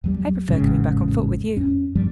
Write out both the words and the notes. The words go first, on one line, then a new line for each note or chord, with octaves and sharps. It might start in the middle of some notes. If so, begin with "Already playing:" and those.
"I prefer coming back on foot with you."
E2 F#3 G3
A1 F2 G#2 C#3
F2 C#4
G2 F3 G3